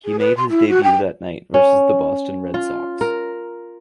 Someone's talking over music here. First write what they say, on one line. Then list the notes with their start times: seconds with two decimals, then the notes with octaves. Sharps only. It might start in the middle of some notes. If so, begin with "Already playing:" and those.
He made his debut that night versus the Boston Red Sox.
0.04 G#4
0.19 B4
0.37 C6
0.49 E4
0.69 F#4
0.83 G5
1.54 C#4
2.54 F4
3.01 A#4